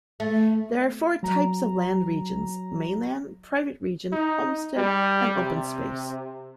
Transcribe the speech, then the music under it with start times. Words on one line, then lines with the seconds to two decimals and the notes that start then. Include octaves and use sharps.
There are four types of land regions; mainland, private region, homestead, and openspace.
0.20 A3
1.23 F#3 A#5
4.12 D#4
4.77 G3
5.36 C3